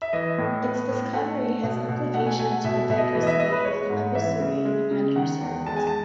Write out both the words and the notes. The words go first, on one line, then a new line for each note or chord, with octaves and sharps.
Its discovery has implications for the diversity of lambeosaurine hadrosaurids.
E5
E3 D#5
A2
B3
A2
A3 F#5
A3
B2
B2
A3 F#5
G#5
A3 G#5
F#5
B2 E5
B2 E5
D#5
E3
D#5
E5
B3 D#5
B4
G#3 C#5
G#2
E3 E5
C#3
G#3
C#3
D#3 F#5
E2
G#3 A5
G#5
A5